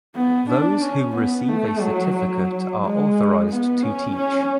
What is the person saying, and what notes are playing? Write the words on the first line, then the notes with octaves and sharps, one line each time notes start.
Those who receive a certificate are authorized to teach.
B3
D4
C#4
B3
A3
F#3
F#3
G#3
B3
C#4
C#4